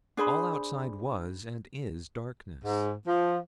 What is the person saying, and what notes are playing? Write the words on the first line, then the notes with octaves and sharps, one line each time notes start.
All outside was and is darkness.
D4 G#4 C5 B5
G#2
F3